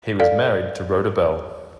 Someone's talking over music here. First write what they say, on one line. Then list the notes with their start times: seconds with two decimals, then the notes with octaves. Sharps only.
He was married to Rhoda Bell.
0.20 A4 D5 F5